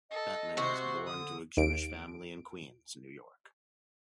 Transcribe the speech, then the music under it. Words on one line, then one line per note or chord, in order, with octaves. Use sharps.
Bettman was born to a Jewish family in Queens, New York.
A4 D#5
C3 F#4 C5
D3 D#6
D#2 D7